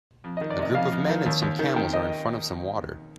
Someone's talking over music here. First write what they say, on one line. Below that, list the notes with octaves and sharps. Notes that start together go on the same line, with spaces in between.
A group of men and some camels are in front of some water.
F2
D#5
D#3
D5
C3 D#5
F2 F5
F2
D#3
D#2
D#2
D#3
D#3 G5
D#5